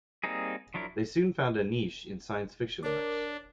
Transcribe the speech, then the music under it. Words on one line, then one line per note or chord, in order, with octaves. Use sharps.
They soon found a niche in science fiction works.
G3 A#3 C4 D#4 G#4
F3 F#3 D4 E4 A#4
D4 A#4 C#5 D6